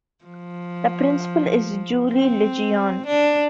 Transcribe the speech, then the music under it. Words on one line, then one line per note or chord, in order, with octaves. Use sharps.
The Principal is Julie Legione.
F3
C4
D4